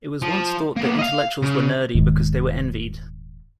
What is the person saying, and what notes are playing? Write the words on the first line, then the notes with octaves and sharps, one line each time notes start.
It was once thought that intellectuals were nerdy because they were envied.
F3
A#3 B3
D#5 F5
C#3
D#1 G#2 D#3